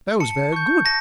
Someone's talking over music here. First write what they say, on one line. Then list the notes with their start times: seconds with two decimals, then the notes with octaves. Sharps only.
That was very good!
0.20 A5 C#7
0.52 C#6 G6
0.85 A5 A#6